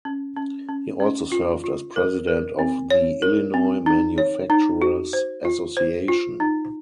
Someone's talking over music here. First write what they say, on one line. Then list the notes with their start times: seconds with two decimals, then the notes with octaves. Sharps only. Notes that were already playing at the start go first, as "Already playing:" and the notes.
He also served as President of the Illinois Manufacturers Association.
0.05 C#4
0.37 C#4
0.69 C#4
1.00 C#4
1.32 F4
1.64 F4
1.96 A#4
2.27 A#4
2.59 C4
2.90 C#5
3.22 A#4
3.54 C4
3.86 D#4
4.18 C#5
4.50 D#4
4.82 F#4
5.13 C5
5.45 F4
5.77 C5
6.08 F4
6.40 D#4